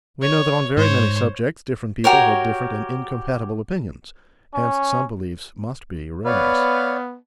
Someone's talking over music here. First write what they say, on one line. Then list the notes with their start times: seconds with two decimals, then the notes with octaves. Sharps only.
We know that on very many subjects different people hold different and incompatible opinions: hence some beliefs must be erroneous.
0.22 C#5
0.77 G#2 C5 C#5
2.04 F#4 G4 A#4 C#5
4.54 C#4
6.26 B3 B4 C#5 D5 F5